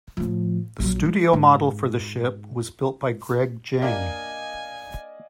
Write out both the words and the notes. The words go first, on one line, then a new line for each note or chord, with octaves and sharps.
The studio model for the ship was built by Greg Jein.
A2 F3
A#1 F#3
G#3
G#2
A#3 D4 A#4 D5 D#5 F5 G#5